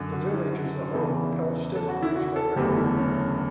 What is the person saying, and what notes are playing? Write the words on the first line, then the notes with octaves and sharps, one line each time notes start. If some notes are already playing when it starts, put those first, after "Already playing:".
The village is the home of Pellston Regional Airport.
Already playing: F#2 D3
F#4
E4
F#4
E1 E2 C#3 E3 A4
A4
F#4
E4
F#4
A4
F#1 E2 D3 A3 G4
E4
C#4